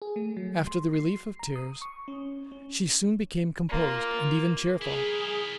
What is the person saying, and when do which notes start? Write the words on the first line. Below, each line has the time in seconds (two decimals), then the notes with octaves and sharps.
After the relief of tears, she soon became composed, and even cheerful.
0.02 G#4
0.16 A3
0.37 F#3
0.67 C6
0.93 C7
1.39 A#5
1.56 D#6
1.82 C#6
2.08 C#4
2.52 C#4
3.69 A#3 F4
4.81 E4 G#4 A#4